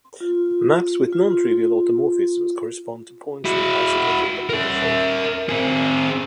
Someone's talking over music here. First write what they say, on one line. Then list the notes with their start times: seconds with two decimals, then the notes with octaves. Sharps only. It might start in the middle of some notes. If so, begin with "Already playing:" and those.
Maps with nontrivial automorphisms correspond to points with isotropy in the orbifold.
0.20 F4
1.13 F4
3.45 E4 F#4
4.49 A#4 E5
5.49 C4 G#4